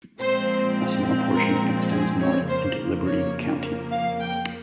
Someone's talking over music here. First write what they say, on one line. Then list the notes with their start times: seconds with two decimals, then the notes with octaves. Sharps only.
A small portion extends north into Liberty County.
0.20 A#2 F3 G#3 C4 C5
1.34 A#4
1.92 G#4
2.21 C#5
2.49 F2 C#3 F3 A#3 C5
3.06 C#5
3.92 F5
4.20 G5